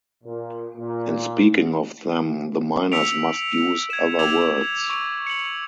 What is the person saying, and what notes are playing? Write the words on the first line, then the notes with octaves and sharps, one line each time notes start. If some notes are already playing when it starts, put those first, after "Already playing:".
In speaking of them the miners must use other words.
A#2
A#2
E6 B6 C#7 D7 F7
G#6 E7
D6 E6 G#6 F7 F#7
C#6
C#7 F#7